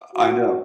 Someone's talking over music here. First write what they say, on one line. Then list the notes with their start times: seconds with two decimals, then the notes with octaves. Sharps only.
I know.
0.14 F#4